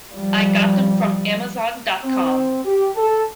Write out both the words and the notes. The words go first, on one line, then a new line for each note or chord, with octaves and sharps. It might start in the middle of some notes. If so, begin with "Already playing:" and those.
I got them from Amazon dot com.
F3 G3
C4
G4
A4